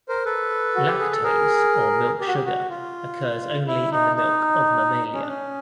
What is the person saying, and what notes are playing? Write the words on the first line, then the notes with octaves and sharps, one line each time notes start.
Lactose, or milk sugar, occurs only in the milk of mammalia.
A#4 C5
A4 B4
F#4
G4
G#4
A4
G#4 A#4
G4
F#4
G4
F#4
F4
E4
D#4
D#4
C#4
D4
C#4